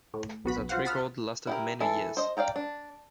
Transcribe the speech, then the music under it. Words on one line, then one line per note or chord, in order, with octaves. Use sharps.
That record lasted many years.
A2
B1 B3 F#4 B5
B1
F4 F#4 C5 F5 F#5
F#5 A5 B5 D#6 F6
E4 G4 A#4
E3 A4
C5 D#5
D5 F5 G5 A#5
D4